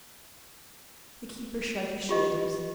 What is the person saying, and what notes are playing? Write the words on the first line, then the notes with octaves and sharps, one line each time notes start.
The keeper shrugged his shoulders.
F4 G4 D#5